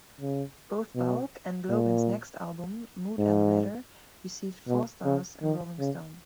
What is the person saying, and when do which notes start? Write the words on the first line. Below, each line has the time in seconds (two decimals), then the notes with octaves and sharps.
Both Bulk and Logan's next album, "Mood Elevator", received four stars in "Rolling Stone".
0.21 C#3
0.95 B2
1.70 A#2
3.18 G#2
4.67 B2
5.04 C#3
5.41 D#3
5.79 C#3